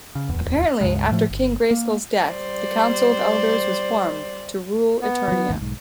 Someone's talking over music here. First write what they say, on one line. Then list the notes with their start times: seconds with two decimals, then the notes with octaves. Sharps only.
Apparently, after King Grayskulls' death, the Council of Elders was formed to rule Eternia.
0.15 C#3
0.29 D1 E2
0.81 C#2 G2 C#3 G#3
1.11 A2 F3 A3
1.30 G1
1.71 A#3
2.24 G3 C5 D5
5.02 B3
5.28 F3 F#3
5.49 A1 D#2 G#2
5.61 B1 G#2